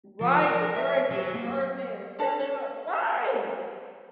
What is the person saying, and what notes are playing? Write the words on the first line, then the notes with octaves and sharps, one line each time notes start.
Right, the girl is just cursing and telling her Right!
F3
A#4
E5
F#3
A#3
D4 A4 B4